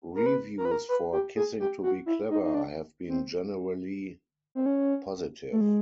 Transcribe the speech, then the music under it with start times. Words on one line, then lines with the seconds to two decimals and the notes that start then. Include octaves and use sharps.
Reviews for "Kissing to Be Clever" have been generally positive.
0.16 A#4
0.26 B4
0.58 A#4
0.65 B4
0.71 A#4
0.89 B4
1.12 G4
1.36 G#4
1.60 G4
1.83 F#4
2.06 E4
2.30 D#4
2.43 D#4
2.54 D4
3.09 C4
4.55 C4
4.66 C#4
5.52 A3
5.61 G#3